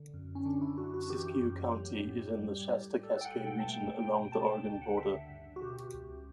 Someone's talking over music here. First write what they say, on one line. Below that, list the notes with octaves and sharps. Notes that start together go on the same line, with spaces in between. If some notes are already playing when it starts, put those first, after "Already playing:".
Siskiyou County is in the Shasta Cascade region along the Oregon border.
Already playing: D3
F#2
C#4
D3 D4
E4
F#2 F#4
F#4
E3 G4
F#2
F#3
A2
G3
A2
G3 A4
G5
F#5
B2
G5
A5
A3 G5
B2 G5
G5
C#3 A5
G5
D2 G5
F#5
D3 E5
G2
F#4
B2 G4
C#2